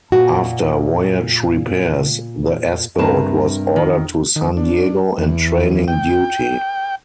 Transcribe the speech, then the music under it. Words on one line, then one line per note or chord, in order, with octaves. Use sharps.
After voyage repairs, the S-boat was ordered to San Diego and training duty.
A#2 F#4
G2 C3 A#4 B4 A5
D#3
D#3
D4
E2
G5